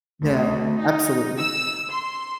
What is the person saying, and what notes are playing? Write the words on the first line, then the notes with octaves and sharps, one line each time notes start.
Yeah, absolutely,
D2
D#4
E6
C6